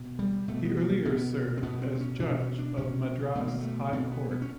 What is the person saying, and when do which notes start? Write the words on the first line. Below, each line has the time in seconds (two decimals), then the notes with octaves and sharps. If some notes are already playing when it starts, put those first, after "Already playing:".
He earlier served as Judge of Madras High Court.
Already playing: B2
0.19 G3
0.48 B2 A3
0.65 B3
0.77 A#3
1.05 B2 B3
1.58 C4
1.63 B2 B3
1.82 C4
1.95 C4
2.01 C#4
2.20 B2 D4
2.39 C#4
2.59 D4
2.77 B2 C#4
3.35 B2 A3
3.48 A#3
3.61 A3
3.93 B2 C4
4.12 B3
4.31 B3
4.42 C#4